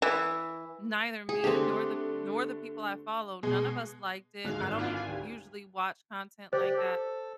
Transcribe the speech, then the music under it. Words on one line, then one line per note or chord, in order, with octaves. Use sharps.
neither me nor the nor the people I follow, none of us liked it, I don't, usually watch content like that,
E3
G#4
D3 A3 C4 D4 G4
B2 G#3
D2 G#2 G#3 F5 F#6
G#1
D4 E4 F4
F5 G#5
D2 G4
G4 C5 D5
A4